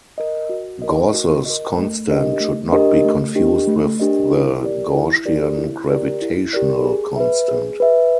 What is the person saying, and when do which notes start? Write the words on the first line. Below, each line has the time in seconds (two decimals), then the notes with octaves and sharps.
Gauss's constant should not be confused with the Gaussian gravitational constant.
0.18 A#4 D#5
0.49 F#4
0.82 A#4 D#5
1.13 F#4
1.46 A#4 D#5
1.78 A3
2.09 D4 G4 A#4 D#5
2.40 A3
2.72 D4 G4 A#4 D#5
3.04 A3
3.35 D4 G4 A#4 D#5
3.67 A3
4.00 D4 G4 A#4 D#5
4.31 E4
4.63 G4 A#4 D5
4.94 E4
5.26 G4 A#4 D5
5.57 E4
5.89 G4 A#4 D5
6.21 E4
6.53 G4 A#4 D5
6.85 G#4
7.16 B4 E5
7.48 G#4
7.80 B4 E5